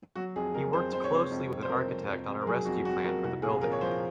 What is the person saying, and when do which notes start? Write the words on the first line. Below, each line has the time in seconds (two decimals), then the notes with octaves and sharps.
He worked closely with an architect on a rescue plan for the building.
0.15 F#3 F#4
0.36 F2 G#4
0.54 F2 A#4
0.73 F2 C5
0.92 F2 C5
1.04 C#5
1.12 C3 C5
1.31 F2
1.51 F2
1.63 C5
1.69 F2 A#4
1.88 F2
2.08 F2
2.27 F2
2.41 A#4
2.46 F#3 G#4
2.65 F2 F#4
2.85 F2 F#4
3.04 F2 A#4
3.24 C2 F#4
3.42 A#2 G#4
3.61 F3 A#4
3.72 C#5
3.81 F3 C5